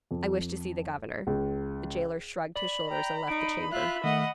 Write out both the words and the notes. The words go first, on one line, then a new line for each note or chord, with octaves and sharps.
"I wish to see the governor." The jailer shrugged his shoulders and left the chamber.
F2
C#2
D5 B5 F#7
G5 A#5
D#4 D7
F4 E5 F#6
D#3 A3 D#5 F#5